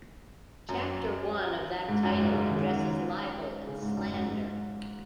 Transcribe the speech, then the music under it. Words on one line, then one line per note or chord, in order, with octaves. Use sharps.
Chapter one of that title addresses libel and slander.
F#2
G#2
F#2
G#2
C#3
D#3
C#3
D#3
C#3
G#2
F#2
G#2
G#2